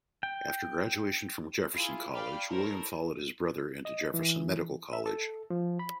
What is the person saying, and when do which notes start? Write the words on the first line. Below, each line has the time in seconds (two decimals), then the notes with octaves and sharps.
After graduation from Jefferson College, William followed his brother into Jefferson Medical College.
0.23 G5
1.73 E4 F4 G#4
2.13 G4 D5 F5 G5 B5 F6
2.48 E4 A4 A#4 C5 C#5
3.85 D#5
4.14 E3
4.93 E5
5.06 A4
5.50 F3
5.79 B5